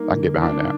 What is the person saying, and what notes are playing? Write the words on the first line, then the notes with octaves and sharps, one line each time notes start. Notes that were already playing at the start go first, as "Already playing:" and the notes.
I can get behind that."
Already playing: G3 A#3 D#4
D3
D3 D4